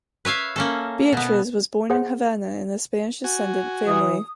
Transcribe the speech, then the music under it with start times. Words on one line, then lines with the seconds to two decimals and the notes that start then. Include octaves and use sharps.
Beatriz was born in Havana in a Spanish-descendent family.
0.25 B4 C#5 E5 F5
0.56 A#3 C#4 A4
1.12 B2 B3
1.90 G#4 C5 F#5
3.24 F#4 G#5
3.87 E3 D#6